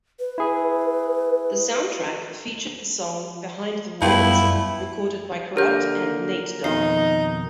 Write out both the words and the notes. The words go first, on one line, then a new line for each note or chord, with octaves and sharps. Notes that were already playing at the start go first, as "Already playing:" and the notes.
The soundtrack featured the song "Behind the Walls" recorded by Kurupt and Nate Dogg.
B4
E4 G#4
F#2 G3 A3 B3 E4 F4 G4
D3 A#3 G4 A#4 G6
F2 B2 D#3 D#4 C7